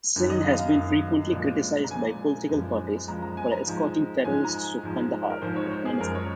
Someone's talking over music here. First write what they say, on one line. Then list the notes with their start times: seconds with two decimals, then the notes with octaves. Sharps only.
Singh has been frequently criticized by political parties for escorting terrorists to Kandhahar, Afghanistan.
0.16 F#2 D#3 F#3
0.30 D#5
0.45 F5
0.59 F5
0.75 F#2 D#3 F#3
1.33 A#2 F3 G#3
1.84 A#5
1.91 A#2 F3 G#3 G#5
2.49 F#2 F3 G#3
3.08 F#2 F3 G#3 A#5
3.22 A#5
3.37 G#5
3.52 A#5
3.67 G#2 F3 G#3
4.25 G#2 F3 G#3 G#5
4.45 A#5
4.83 G#2 F3 G#3
5.30 A#4
5.42 G#2 F3 G#3 C5
5.56 C#5
5.71 C5
5.85 G#4
6.00 F#2 F3 G#3 A#4
6.15 C#5